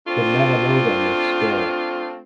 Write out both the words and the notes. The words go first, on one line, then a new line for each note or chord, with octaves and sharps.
The Metanotum is square.
A3 C4 D4 F4